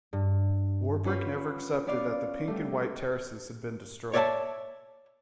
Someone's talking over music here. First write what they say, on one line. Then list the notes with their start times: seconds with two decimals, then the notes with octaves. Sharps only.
Warbrick never accepted that the Pink and White Terraces had been destroyed.
0.13 G2
1.05 C#4 F4 B4 C#5 F#5 B5
1.87 B3 C#4 C#5 D5 F5
2.47 G3 A3
4.14 C#5 D5 E5 F#5 A5